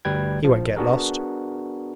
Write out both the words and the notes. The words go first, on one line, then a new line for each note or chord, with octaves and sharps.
'He won't get lost.
G1 D2 G3 B4 G5 G#6
A#1 F3
B3 D4 F#4 G#4 A#4